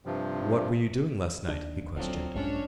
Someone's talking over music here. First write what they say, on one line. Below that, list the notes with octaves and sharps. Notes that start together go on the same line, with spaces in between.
"What were you doing last night?" he questioned.
G2 C3 F3
D#2 D4
D#1 D2 D3 F3 F#3 C4
A#1 G2 G#3 C#4 D4 C#5